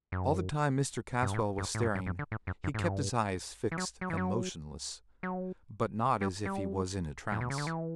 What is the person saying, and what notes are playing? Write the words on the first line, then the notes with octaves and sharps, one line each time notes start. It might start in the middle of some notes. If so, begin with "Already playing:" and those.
All the time Mr. Caswall was staring, he kept his eyes fixed and motionless--but not as if he was in a trance.
F#2
G2
A2
G2
A2
G2
G2
G2
D3
A2
F#2
F#2
A2
G2
E3
F#3
F#3
E3
F#3
F#3
G3
G3
A2
B2
C#3
D3
E3